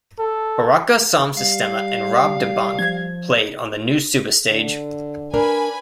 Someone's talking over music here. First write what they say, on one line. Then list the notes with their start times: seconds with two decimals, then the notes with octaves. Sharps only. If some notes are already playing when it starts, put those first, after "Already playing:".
Buraka Som Sistema and Rob Da Bank played on the new Suba Stage.
0.19 A4
1.37 G3 F5
2.79 F3 G#6
4.51 D3
5.34 D4 A#4 B4 G#5 B5